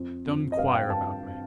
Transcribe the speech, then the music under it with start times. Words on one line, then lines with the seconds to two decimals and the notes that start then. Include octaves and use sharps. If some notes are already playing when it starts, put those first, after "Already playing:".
Don't inquire about me.
Already playing: F2
0.26 F2
0.52 D#5
0.57 G2 F5
0.75 G5
0.90 G2 A5